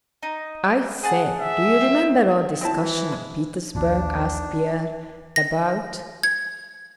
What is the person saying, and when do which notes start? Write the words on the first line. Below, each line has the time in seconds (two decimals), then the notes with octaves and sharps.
"I say, do you remember our discussion in Petersburg?" asked Pierre, "about..."
0.23 D#4
1.03 G#4 F#5 A5
1.40 E5
1.81 C4
2.61 C4 E4 A5
2.81 E3
3.12 G#3
3.75 A#1 D#2 A#2 D4
5.36 A#6
6.23 G#6